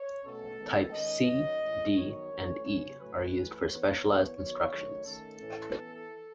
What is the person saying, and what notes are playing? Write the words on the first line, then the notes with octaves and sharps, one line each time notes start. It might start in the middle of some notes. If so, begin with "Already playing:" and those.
Types C, D and E are used for specialized instructions.
Already playing: C#5
B2 A3 C#4 A4
D#3 G#3 B3
D#3 G#3 C#4 D#5
D#3 F#3 C#4
A2 E3 G#3 C#4
D#3 F#3 B3 C#5
E3 A3 C#4
C#3 F#3 B3 C#5
A2 F#3 A3 C#4 B4
E3 A3 C#4
E3 B3 C#5
E3 B3
D#3 F#3 B3 C#5
D#3 F#3 A3
D#3 A3 C#4 A4
A2 E3 A3 C#4
E3 B3